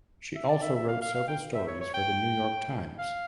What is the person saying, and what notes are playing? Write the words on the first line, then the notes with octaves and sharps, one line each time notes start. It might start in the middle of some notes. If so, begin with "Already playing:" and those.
She also wrote several stories for "The New York Times".
E5
D5
E5
E5
F5
F5
F5
G5
E5
C#5
C#5
G5
F5